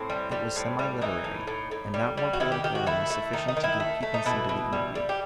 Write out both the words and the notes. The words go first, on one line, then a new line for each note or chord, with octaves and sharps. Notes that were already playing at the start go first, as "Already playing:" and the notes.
It was semi-literary, and not more political than was sufficient to give piquancy to the interview.
Already playing: A2 C4
G3
G3
A2
G3
E3 D#4
A2
A2
A2
G3
G3
F#4
D#3 E4
G4
D#3 G4
F#4
A3 E4
A3
D#3 D#4
D#4
D#3
E4
A3
A3
D#4
B2 E4
B2
G3
G3
G4